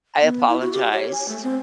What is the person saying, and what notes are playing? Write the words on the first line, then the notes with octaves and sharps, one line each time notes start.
I apologized
B3
E4
F#4
G4
C#5
G#5
A3
C4